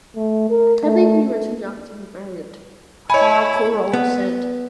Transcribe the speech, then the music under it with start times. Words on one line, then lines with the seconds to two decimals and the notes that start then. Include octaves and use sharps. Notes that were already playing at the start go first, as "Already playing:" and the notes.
"I think we were too young to be married," Harkleroad said.
0.16 A3
0.50 A#4
0.85 A3
1.29 A3
3.10 E4 C#5 D#5 G#5 B5
3.93 B3